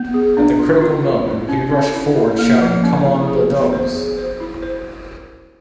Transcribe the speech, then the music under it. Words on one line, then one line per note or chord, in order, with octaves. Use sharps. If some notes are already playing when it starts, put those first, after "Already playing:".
At the critical moment he rushed forward shouting Come on the Dubs!
Already playing: B3
G#4
D4
F4
F4
F4
E4
C#4
C#4
E4
E4
A#3
F3
C#4
E4
G#4
B3
C5
G#4
C5
E4
C5